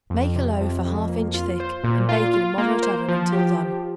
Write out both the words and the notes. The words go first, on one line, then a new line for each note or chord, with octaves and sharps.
Make a loaf a half inch thick and bake in a moderate oven until done.
F2
C3
F2
F2
A#3
F4
C5
A#2
F4
F4
A#3
C5
F3
G4
F3